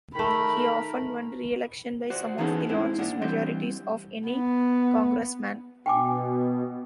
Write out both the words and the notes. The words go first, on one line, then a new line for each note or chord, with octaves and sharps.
He often won re-election by some of the largest majorities of any congressman.
D#3 A3 A#4 B5
F#4 C5 D5
E3 B3 C#4 D#4 G#4 A4
G#2 C4 E4
A#3 D4 F#5
E3 G3 C4 C6
B3
B2 G5 G#5 D6